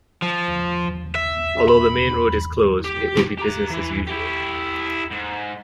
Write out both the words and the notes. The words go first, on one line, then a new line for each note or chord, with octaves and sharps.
Although the main road is closed, it will be business as usual.
F3
E5
B5
G4
G4 A#5
E3
E4 G4
G#2